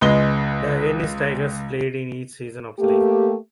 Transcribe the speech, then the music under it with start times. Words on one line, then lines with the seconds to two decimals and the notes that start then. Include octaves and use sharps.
The Ennis Tigers played in each season of the league.
0.01 C#2 G#3 B4 D#5 G7
2.79 A3 A#3 G4